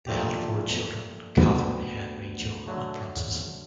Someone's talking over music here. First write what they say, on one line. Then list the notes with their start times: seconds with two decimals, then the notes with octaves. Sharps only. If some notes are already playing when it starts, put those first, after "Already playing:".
They had four children; Catherine, Henry, John, and Francess.
0.07 A#2 F3 A3 D4 G4
1.37 D2 D3 G3 B3
2.67 D3 F#3 A3